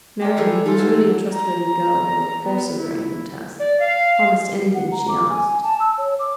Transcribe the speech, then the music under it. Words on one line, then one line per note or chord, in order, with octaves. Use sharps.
Marian, who was really a trustworthy girl though of coarser grain than Tess, promised anything she asked.
G4 A#4 D5 G5
E3 G#3 A3
A3 D#4 F4 A4
E3 F#3
A#5
B3
E4
D5
F5
F#5
A#5
D6
G#5
A5
E6
C#5
D6